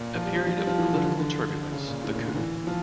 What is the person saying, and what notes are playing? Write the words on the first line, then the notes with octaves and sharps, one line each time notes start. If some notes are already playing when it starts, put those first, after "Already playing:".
A period of political turbulence the coup.
Already playing: A#2
F3
G3
F3
F3
G3
F3
E3
D3
E3
D3
C#3
A#2
A2
A#2
D3
E3
F3